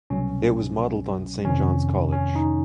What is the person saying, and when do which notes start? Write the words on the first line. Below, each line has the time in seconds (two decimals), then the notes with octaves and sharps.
It was modelled on Saint John's College.
0.10 C2 B2 F#3 C#4
1.45 F2 C3 D#3 C#4
2.12 C#4
2.35 D#4